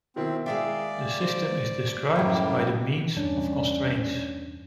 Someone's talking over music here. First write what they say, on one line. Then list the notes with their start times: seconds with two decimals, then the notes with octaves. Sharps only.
The system is described by the means of constraints.
0.16 B2 D#3 C4 E4
0.46 G#3 G#4 A#4 D5 E5 F5 G5
1.20 C5
2.15 F#2 A2 G3 A#3 G4 G5 A#5 B5
3.17 E2 G2 C#4 D4 D5